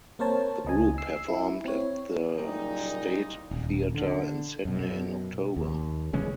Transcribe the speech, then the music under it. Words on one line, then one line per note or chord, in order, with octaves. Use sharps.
The group performed at the State Theatre in Sydney in October.
A#3 C4 A#4 C5 C#5 A5
C#2 D#5 G#5
E6 C7
E4
C4 C#5
F#1 A#2 G3 D#4
D#1
D3
F#2 B2
D#2
C3 E3 G#3 C#4